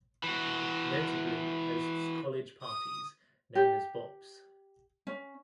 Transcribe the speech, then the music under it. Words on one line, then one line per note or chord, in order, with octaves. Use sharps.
Notably it hosts college parties known as bops.
E3 F#4
D#6
G4
C#4